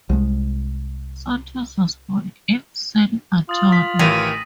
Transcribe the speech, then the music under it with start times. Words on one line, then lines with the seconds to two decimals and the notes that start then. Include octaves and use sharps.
Santos was born in San Antonio.
0.09 C2 G#3
3.49 F4 D#6 A6 F#7
3.72 B6
3.99 A1 D#3 E3 A#6 B6 D#7